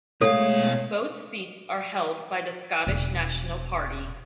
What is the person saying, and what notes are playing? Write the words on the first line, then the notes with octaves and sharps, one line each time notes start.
Both seats are held by the Scottish National Party.
B2 G#3 A3 A4 C#5 F5
E1 B2